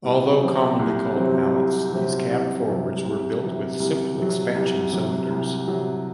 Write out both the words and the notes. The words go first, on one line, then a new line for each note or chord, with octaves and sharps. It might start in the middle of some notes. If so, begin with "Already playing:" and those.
Although commonly called "Mallets" these cab-forwards were built with simple expansion cylinders.
C2
C3 F#3 C4
C2
C3 F#3 C4
C2
C3 F#3 C4
C2
C3 F#3 C4
C2
C3 F#3
C2
C3 F#3
C2
C3 F#3
C2
C3 F#3